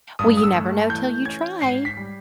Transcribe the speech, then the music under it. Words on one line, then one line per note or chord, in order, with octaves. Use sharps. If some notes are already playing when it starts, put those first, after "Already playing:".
"Well, you never know till you try."
G2 D#6
D#6
E6
A3
E3 G6
C#4 G#6
G#2 C7
B6
G3